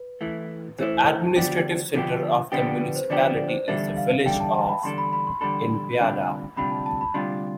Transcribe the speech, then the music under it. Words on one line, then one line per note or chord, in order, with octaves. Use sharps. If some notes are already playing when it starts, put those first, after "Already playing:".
The administrative centre of the municipality is the village of Innbygda.
Already playing: B4
E3 A3 E4
E3 A3 E4 C5
D3 F3 B3 D4 G4
D3 F3 B3 D4 G4
D3 F3 B3 D4 G4 B4
B4
C5
D3 F3 B3 D4 G4 D5
D5
C5
E2 D3 G3 D4 A4 E5
F5
E2 D3 G3 D4 A4 G5
A5
A5
B5
E2 D3 G3 D4 A4 C6
B5
B5
C6
E2 D3 G3 D4 A4 B5
D2 C3 G3 D4 F4
D2 C3 G3 D4 F4 B5
A5
A5
B5
D2 C3 G3 D4 F4 C6